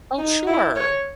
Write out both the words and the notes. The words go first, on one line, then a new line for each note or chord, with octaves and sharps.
Oh, sure.
D#4
E4
C#5